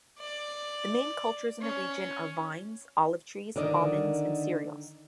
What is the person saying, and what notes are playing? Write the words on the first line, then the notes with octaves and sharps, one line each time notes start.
The main cultures in the region are vines, olive trees, almonds and cereals.
D5
C#4
D3 D#3 A#4 D5 D#5